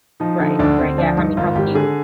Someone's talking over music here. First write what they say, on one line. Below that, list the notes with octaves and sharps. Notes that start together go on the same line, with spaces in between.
Right, right, yeah, I mean, how can you
F3 D#4
D3 D#4
D2 D4
D2 C4
F3 D4
G2 D#4
G#1 F4
G#1 G4
D3 G#4